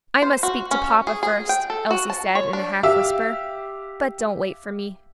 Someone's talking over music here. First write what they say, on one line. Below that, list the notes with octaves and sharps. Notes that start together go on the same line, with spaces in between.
"I must speak to papa first," Elsie said in a half whisper, "but don't wait for me."
C5
F#4
C#4
G#4
G#4
G5
A4
F#4
A5
C#5
D4
G4 E5 F5